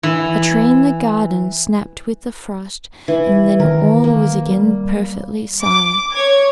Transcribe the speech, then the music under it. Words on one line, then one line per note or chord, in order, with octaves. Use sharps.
A tree in the garden snapped with the frost, and then all was again perfectly silent.
E3
E3
D#3 A#4
A#3
G3
D6
C#5 G#6